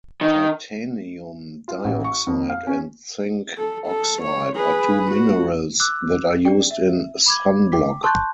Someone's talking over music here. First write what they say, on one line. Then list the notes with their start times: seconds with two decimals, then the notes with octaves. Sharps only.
Titanium dioxide and zinc oxide are two minerals that are used in sunblock.
0.21 D#3
1.68 F4
1.84 A1
2.04 C#6
2.27 F2
2.49 F5
2.67 C#4
3.57 A4
3.87 A4
4.22 C#5
4.56 G#4 B4
5.12 F#4
5.80 D6 E6 F#6
6.45 G#4 D5 G5
6.71 E5
7.26 B5 D6 G#6
7.72 G5 D6 B6
8.03 A5 C6 C#6 F#6 G6 A6